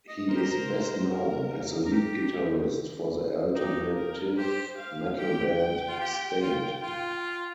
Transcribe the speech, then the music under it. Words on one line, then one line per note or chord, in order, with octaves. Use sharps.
He is best known as the lead guitarist for the alternative metal band Staind.
D#5
A#4 C5
G4
A#4
A#4
A#4
G4
D#4 G4
A#4
G4 C5
F5
G4 G5
F4
G4
F4
F4